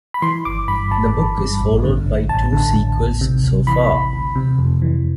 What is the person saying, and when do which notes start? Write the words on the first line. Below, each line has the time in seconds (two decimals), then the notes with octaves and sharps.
The book is followed by two sequels so far.
0.14 B5
0.22 E3 C6
0.45 G1 D6
0.68 G2 B5
0.91 G1 A5
1.14 G1
1.38 G2
1.61 A1
1.84 D3
2.06 A1
2.29 A1 A5
2.53 D3
2.75 A1
2.98 D2
3.21 C3
3.44 D2
3.67 E3 B5
3.90 D2
4.13 D2
4.35 C3
4.58 F2
4.82 E3